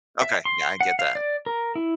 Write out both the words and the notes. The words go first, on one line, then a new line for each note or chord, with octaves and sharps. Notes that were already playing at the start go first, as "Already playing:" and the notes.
Okay. Yeah, I get that.
E5
C6
F#5
F5
D5
A#4
E4